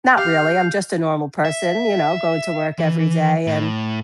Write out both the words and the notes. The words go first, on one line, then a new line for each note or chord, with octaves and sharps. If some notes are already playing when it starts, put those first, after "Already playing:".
not really, I'm just a normal person, you know, going to work every day, and
G4 F5 G6
E5
E3
A2